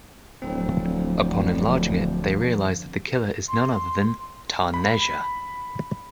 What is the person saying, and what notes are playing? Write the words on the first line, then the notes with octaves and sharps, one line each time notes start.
Upon enlarging it, they realize that the killer is none other than Tarneja.
D1 D3 F3 C4
C6
B5